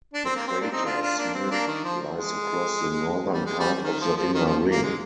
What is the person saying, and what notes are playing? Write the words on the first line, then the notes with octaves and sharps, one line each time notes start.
The crater Smith lies across the northern part of the inner ring.
D4
C4
A#3
C4
A#3 D4
C4 D#4
D4 F4
D4 F4
A#3 D4
C4
A#3 D4
D#3
F3
G#3
G3
G#3
G3
D#3
F3
F3
D#3
F3
A#3
G#3